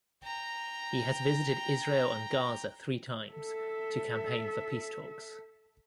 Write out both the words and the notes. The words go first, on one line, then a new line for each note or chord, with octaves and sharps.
He has visited Israel and Gaza three times to campaign for peace talks.
G5 A#5
A4 E5